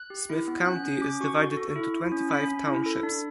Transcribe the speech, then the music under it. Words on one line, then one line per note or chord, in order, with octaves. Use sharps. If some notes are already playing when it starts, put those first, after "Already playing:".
Smith County is divided into twenty-five townships.
Already playing: F#6
G4
E4
B3
C#4 F#6
C#4
C#4 D6
F#4 C#6
F#4
A4
E4
E4
C#4
C#4 B5
C#4
E4
A4
D4